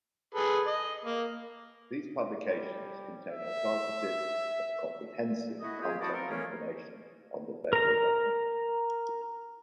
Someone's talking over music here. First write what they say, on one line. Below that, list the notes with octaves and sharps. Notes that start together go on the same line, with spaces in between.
These publications contain authoritative and comprehensive contact information on the federal government.
G#4 A4 B4
D#5
A#3
G3
E5
A3 B3 E4 F#4 D#5
F4 G4 G#4
B3 E4 F#4 D5 D#5 A5
A#3 C4 A4 A#4 C5
D#3 E3 A3 A#3 C#4 C#5
A#4 A#5